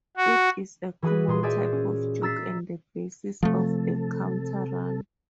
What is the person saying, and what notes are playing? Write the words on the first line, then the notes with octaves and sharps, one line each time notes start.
It is a common type of juke and the basis of the counter run.
F#4
E3 F#4 G#4 B4
A#2 G#4 C6
G#4 C5 D5 E5 G#5
C#4
A#5 E6 A6 B6 C7
C3 F3 A3 A4